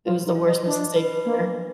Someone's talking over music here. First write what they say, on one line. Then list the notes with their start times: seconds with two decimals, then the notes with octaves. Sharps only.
It was the worst mistake ever.
0.06 F4 B4
0.26 D#4
0.35 F4
0.46 D#4
0.65 D4 D#5
0.96 B4
1.25 A#3 D4
1.56 B4